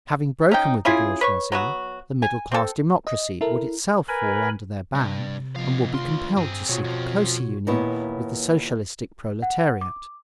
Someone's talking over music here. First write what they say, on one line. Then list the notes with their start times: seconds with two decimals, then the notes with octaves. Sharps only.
Having broken with the bourgeoisie, the middle-class democracy would itself fall under their ban and would be compelled to seek a closer union with the Socialistic proletariat.
0.51 C#4 D#4 G5
0.85 C#4 E4 F4 G#4
1.21 B4 C#5 C#6
1.52 F#3 B3 F#4
2.22 G#5
2.52 C4 A4
3.07 D#5
3.41 E4 A4 A#4
4.08 A#4 B4 G#5 B5
4.95 G2 C3
5.56 B2 F3 F5
5.94 D2 F4 C6
6.37 G2 C4 G#4
6.69 B2 F4 F#4 C#5
6.84 F2 F3
7.67 D#2 A#2 B3 E4 C#5
9.42 F#5
9.81 D6